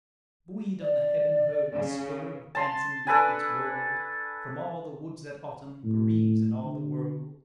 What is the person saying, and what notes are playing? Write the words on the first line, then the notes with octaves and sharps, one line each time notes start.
Buoyed on the heaven-heard whisper Of dancing leaflets whirled From all the woods that autumn Bereaves in all the world.
D5
C#3
A5 C6
D4 A4 B4 G#5
A2
D3